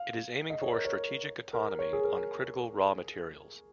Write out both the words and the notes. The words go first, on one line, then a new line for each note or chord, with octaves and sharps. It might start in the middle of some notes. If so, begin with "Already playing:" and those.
It is aiming for strategic autonomy on critical raw materials.
Already playing: F5
D#5
C#5
A#4
C#5
A#4
C#5
G#4
A#4